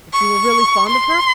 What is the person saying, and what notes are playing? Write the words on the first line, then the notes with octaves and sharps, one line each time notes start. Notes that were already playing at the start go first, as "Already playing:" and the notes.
"If you were really fond of her?"
C#6
C6